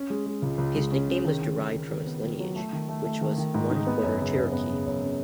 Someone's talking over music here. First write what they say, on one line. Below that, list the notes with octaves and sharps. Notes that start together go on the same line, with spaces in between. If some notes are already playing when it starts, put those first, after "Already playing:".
His nickname was derived from his lineage, which was one-quarter Cherokee.
Already playing: C#4
G#3
G#3
C#2
C#2
G#3
C#4
C#3
D#3
D#3
D#3
D#3
D#3
B3
D#3
F#3
A3
D#3
A3
A3
D#3
D#3
G#2
D#4
B3
F#2
C#3
F#2
B3
C#3
F#2
C#3